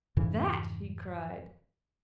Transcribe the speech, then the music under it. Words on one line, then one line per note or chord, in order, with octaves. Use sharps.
"That!" he cried.
F2 G#2 C#3 E3